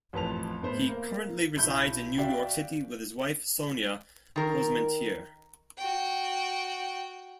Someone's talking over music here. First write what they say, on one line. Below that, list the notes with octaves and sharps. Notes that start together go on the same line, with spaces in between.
He currently resides in New York City with his wife Sonya Posmentier.
A1 F2 B4 A5 F7
A2 B3 C5 B5
A#3
B1 E4 B5 G6
F#4 D5 E5 F5 G5
D#3 A#4
F#4 G5